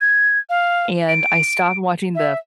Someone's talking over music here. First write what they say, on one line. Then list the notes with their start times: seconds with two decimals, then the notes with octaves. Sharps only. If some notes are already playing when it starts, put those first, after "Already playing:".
and, I stopped watching the f
0.01 G#6
0.49 F5
1.09 D7
2.15 E5